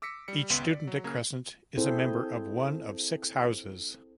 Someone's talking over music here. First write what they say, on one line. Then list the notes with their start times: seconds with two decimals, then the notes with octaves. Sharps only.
Each student at Crescent is a member of one of six houses.
0.02 D6 E6 A#6 B6 C#7
0.28 G3 C#7
0.50 G#1 C#2 B3 C6 B6 C#7
0.71 D5
0.87 F#3
1.04 C#3 A#3 A#5 G#6
1.77 C4 E4 G#4 A4 C5